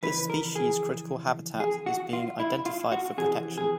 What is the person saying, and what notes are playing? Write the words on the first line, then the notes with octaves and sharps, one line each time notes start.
This species' critical habitat is being identified for protection.
F2 C#3 E3 B4
A#4
G#4
G#4
F#4
F4
E4
F4
F#4
F2 C3 E3 G#4
G#4